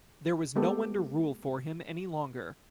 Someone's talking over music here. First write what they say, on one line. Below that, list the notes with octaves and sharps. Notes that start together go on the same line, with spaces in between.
There was no one to rule for him any longer.
G#3 A#3 B3 G4 A4